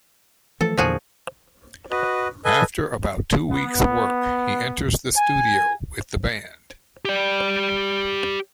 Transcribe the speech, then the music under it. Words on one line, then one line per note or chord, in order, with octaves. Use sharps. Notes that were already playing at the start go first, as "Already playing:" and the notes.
After about two weeks' work, he enters the studio with the band.
E3 F3 A3 A4
E2 A#2 D3 F3 F#4 G#4
F#4 B4 D#5
A4 B4 D#5 G#5
B3
G#5
G4 D5